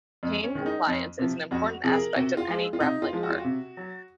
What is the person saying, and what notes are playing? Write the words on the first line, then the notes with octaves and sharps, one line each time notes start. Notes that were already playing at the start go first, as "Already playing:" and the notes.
Pain compliance is an important aspect of any grappling art.
F2
C#4
D#3 G#3
D#4
F2
C3 F3
F2 F#4
C3 F3 G#4
A#4
C3 F#4
F4
F3 G#3
F4
C3 D#4
F4
F3 G#3
F#4
F4
F#4
C3
F#3